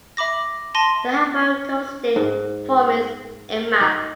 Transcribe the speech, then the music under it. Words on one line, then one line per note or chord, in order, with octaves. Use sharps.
The hypocoristic form is Imma.
E5 B5 D6 A#6
A5 C6 A#6 D#7 G7
G#2
D#4